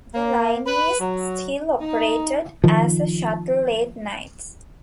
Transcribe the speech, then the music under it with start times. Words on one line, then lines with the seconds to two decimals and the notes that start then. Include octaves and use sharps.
The line is still operated as a shuttle late nights.
0.14 A#3
0.66 B4
1.00 F#3
1.80 D#4
2.64 D#3 F3